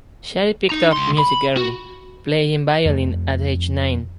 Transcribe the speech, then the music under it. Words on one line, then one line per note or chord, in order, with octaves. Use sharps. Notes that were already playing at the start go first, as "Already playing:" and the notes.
Shari picked up music early, playing violin at age nine.
D#4 A#5
C#2 C6
B5
F#4
F2 A3